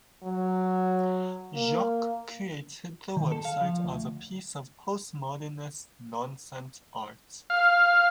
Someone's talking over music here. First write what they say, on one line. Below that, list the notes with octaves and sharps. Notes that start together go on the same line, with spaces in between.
Jacques created the website as a piece of postmodernist "nonsense-art".
F#3
A#3
D#3
A4
F5
F3
D2
F5